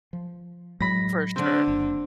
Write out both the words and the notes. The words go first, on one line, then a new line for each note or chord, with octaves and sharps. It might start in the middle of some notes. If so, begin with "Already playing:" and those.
For sure.
F3
A2 F#3 G#3 B5 A#6
D3 C4
F#1